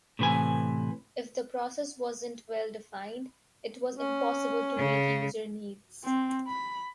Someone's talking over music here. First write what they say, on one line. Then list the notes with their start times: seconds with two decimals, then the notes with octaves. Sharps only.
If the process wasn't well defined, it was impossible to meet user needs.
0.19 A2 C3 E3 B4 G#5
3.94 C#4
4.77 C#3
6.04 C4
6.48 B5